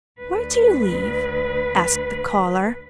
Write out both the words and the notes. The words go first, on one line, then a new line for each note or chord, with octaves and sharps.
"Where do you live?" asked the collar.
D2 B4